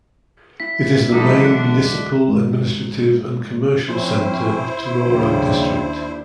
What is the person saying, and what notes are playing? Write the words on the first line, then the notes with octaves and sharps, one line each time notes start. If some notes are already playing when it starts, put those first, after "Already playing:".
It is the main municipal, administrative, and commercial center of Tororo District.
E4 B6
G#2 E3 F#3 D#4 E4 A4 D6
D3 D4 F#6
G#1
F3 C4 C#4 E4 C5
D#2 C#3 F3 G3 D4